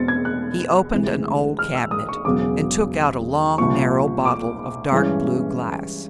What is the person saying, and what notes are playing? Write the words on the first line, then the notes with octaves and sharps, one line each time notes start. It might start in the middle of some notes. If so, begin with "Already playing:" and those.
He opened an old cabinet, and took out a long narrow bottle of dark-blue glass.
Already playing: E1 E2 B2 G#3 C4 A6 C#7
G#6
F#6
D2 C3 E3 G#3
F6
E6
D#6
C#6
E1 E2 C#3 F#3 D6
C2 A#2 F3 C#6
D6
G2 E3 G#3 C#4